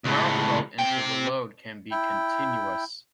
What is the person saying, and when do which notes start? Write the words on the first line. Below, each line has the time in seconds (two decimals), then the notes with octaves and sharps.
Power flow into the load can be continuous.
0.05 C#2 A2
0.79 C3 G5
1.91 E4 G5